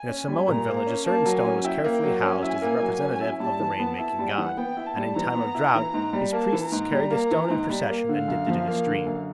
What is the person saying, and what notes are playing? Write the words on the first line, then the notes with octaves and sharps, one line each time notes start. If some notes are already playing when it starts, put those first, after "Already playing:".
In a Samoan village a certain stone was carefully housed as the representative of the rain-making god, and in time of drought his priests carried the stone in procession and dipped it in a stream.
Already playing: G#5
C#4
G3
A#2 A#5
A#3
A#5
C#4
A#3 A5
F#3
G#5
C#4
E4 G5
A#3
F#3
C#4 G#5
E4
A#3
F#3
C#4
E4
G3 A5
E3
B3
E4 A5
G3
F#5
E3
B3 G5
E4
A5
G3
E3 A#5
B3
E4
E3
G#2
G3
A#3 A5
E3
A#5
G#2
G3
A#3
E3
G#2
G3
A#3
D3 F5
F#2
F3
A#3
D3
F#2